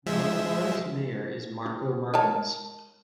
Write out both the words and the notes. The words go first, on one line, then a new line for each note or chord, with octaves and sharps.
Gondomar's mayor is Marco Martins.
F3 G#3 E5
A#4 C#5 A5